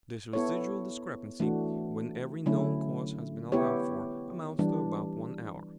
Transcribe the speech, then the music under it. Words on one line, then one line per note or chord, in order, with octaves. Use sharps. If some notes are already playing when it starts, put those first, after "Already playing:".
This residual discrepancy, when every known cause has been allowed for, amounts to about one hour.
B3 E4 A4 C#5
E3 A3 D4 F#4
D3 F#3 A3 C#4 E4
B3 E4 G4 C#5
E3 G3 D4